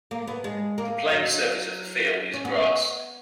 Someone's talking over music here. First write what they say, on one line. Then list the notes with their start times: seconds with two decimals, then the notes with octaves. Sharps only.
The playing surface of the field is grass.
0.11 A#3
0.28 B3
0.44 G#3
0.78 A#3
1.11 F#3
2.34 C#4
2.45 B3